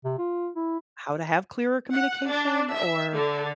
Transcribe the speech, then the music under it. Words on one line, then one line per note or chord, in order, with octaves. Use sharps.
how to have clearer communication? Or,
C3
F4
E4
F#5
D4
E5
D3